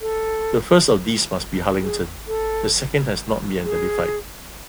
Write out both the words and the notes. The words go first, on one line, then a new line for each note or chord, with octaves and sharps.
The first of these must be Harlington; the second has not been identified.
A4
G#4
A4
G#4